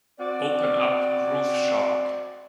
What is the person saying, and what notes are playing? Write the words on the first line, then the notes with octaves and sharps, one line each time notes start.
Open up Groove Shark.
C4 F#4 D5